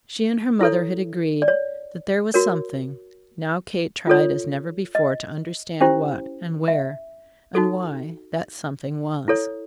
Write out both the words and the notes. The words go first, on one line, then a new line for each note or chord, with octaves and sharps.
She and her mother had agreed that there was "something." Now Kate tried as never before to understand what, and where, and why, that "something" was.
E4 A4 C#5
D5
C#5
F#4 A#4 C#5
F4 A4 C#5
D#5
C#4 E4 G4 C5
E5
D#4 F#4 A4
E4 A4 C#5